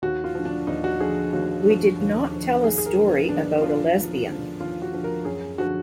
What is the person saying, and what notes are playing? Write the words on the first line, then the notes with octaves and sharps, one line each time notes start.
We did not tell a story about a lesbian.
D#2 F#4
F4
D3 F3
D4
D#2 D#4
F#4
D3 F3 G#4
D#2 F#4
D3 F3
D#2
D3 F3
D#2 G#4
G#4
A#4
D3 F3
B3
D#2 D4
D3 F3 F4
D#2
D3 F3
D#2 F4
F#4
D3 F3
A#4
F#2 G#4
D3 F3 F#4